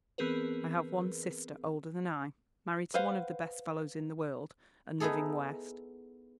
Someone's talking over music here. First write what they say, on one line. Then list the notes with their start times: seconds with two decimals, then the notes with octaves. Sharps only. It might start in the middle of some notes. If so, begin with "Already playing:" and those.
I have one sister, older than I, married to one of the best fellows in the world and living West.
0.18 E3 B3 C4 G#4 A#4 B4
2.94 B4 C5 F5 F#5
5.00 B3 D#4 E4 G#4 A4